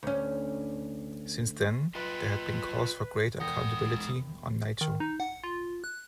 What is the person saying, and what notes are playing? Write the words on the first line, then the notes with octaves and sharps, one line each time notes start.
Since then, there had been calls for greater accountability on Naicho.
D2 C#4
F4 B4 D#5 G5
E1 G#3 F#5 G5 D#6 A#6
D#3
D#4
F#5
F4
F#6